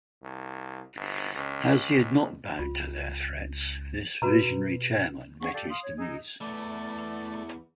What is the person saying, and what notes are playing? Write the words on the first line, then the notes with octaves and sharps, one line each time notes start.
As he had not bowed to their threats, this visionary chairman met his demise.
C2
G1
C#2
C#2 F4
B2 F#4 B4 A#5
G#4 F5 F#5 C#6
G4 A4 D5 F5
F5 C6 D#6
C#5
D#4 G#4 D#5 E6
E2 E3 A3 D5